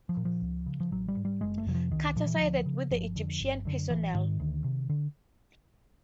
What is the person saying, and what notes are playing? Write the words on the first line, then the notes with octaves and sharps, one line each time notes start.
Carter sided with the Egyptian personnel.
F3
A#2
F3
C#2
C#3
F3
A1 F#3
G3
G#2
G3
F#1 G#3
A3
F2 C3 F#3
F3
C2 D#3
A#2 F3
E3
F3
D2
C#3
G1 F3
F2 D3
G1
F#2 D3
A1 E3
G#2 D#3
D2
C3
D3